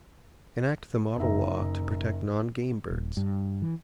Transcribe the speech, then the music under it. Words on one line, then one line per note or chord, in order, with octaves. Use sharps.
Enact the model law to protect non-game birds.
F#1 D#4 E5 A#5
D#1
G2
E3